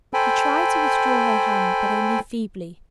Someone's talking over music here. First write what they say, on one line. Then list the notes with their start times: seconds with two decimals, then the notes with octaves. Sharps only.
She tried to withdraw her hand, but only feebly.
0.13 A4 C5 G5 G#5 B5